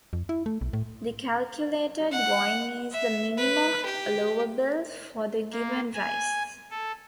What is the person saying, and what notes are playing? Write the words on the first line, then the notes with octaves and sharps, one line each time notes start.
The calculated Going is the minimum allowable for the given Rise.
F2
E4
A3
B1
A2
F#5
E5
B4
G4
A#3
G#5
A4